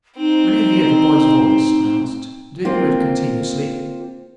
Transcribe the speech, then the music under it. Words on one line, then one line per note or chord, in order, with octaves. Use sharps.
"When you hear the boy's voice," I asked, "do you hear it continuously?"
C4 D#4
A#3 C4 F4